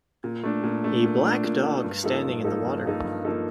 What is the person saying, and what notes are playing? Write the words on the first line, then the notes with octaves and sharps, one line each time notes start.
A black dog standing in the water.
A#2
A3 D4
A#2
A3 D4
A#2
A3 D4
A#2
A3 D4
G2
F3 A#3 D#4 A4
G2
F3 A#3 D#4 A4
G2
F3 A#3 D#4 A4
G2
F3 A#3 D#4 A4